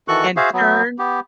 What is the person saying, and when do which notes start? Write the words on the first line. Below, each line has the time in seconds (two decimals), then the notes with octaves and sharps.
and turn
0.08 D#3 E3 F#4 A4 C#6 F#6
0.37 F#4 G#4 C5 E5 F5
0.53 F#3 B3
0.99 B3 G4